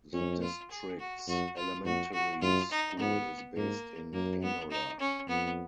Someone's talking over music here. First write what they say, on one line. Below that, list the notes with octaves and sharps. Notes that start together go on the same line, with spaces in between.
The district's elementary school is based in Enola.
F2 C#4
F4
G#4
F#4
F2 F#4
F4
F2 F#4
F#4
F#2 F4
D#4
G#2 B3
G#2 A#3
F#2 A#3
B3
D#4
C#4
F2 B3